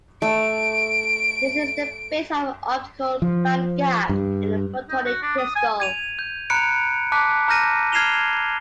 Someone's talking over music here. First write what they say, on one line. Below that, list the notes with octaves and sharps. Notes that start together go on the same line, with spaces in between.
This is the basis of the optical band gap in a photonic crystal.
A3 D7
F3
G2
D#4
F#4
D4
D#6
G#5
G#6 D#7 F7
G6
A#5 B5 F#6 C#7 D7
A5 D6 F#6 B6
A#5 F6 G6 A#6 D#7
F6 G#6 C7 E7 F7 G7